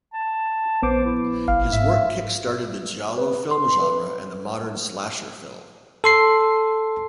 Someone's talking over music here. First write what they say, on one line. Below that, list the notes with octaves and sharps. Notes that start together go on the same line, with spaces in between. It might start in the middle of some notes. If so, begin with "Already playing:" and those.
His work kick-started the giallo film genre and the modern "slasher film".
A5
A#1 B3 C5 D6
E4
G1 F5
G#2 E5
B4
C6
B4
A4 C6 C7